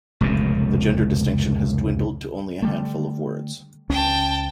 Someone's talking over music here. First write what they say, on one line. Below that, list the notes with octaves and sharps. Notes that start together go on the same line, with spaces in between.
The gender distinction has dwindled to only a handful of words.
F1 C#2 F#2 B2
D3 G3 A3
C#2 C#4 G5 A5